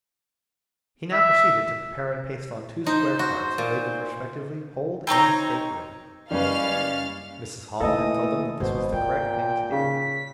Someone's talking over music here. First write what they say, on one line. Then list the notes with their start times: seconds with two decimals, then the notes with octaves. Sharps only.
He now proceeded to prepare and paste on two square cards, labelled respectively, "Hold" and "State-room." Mrs. Hall had told them that this was the correct thing to do.
1.13 E5
2.86 D#4 C5
3.19 F#4 C5
3.58 A#2
5.07 C4 D#4 C#5 A#5
6.31 F#1 G3 C#4 B4 F5 F6 A6
7.80 E3 A3 A#3 A4 D#5 D#6
8.60 G#1 B2 C5
8.92 A#2 F4 G5
9.72 C#3 B6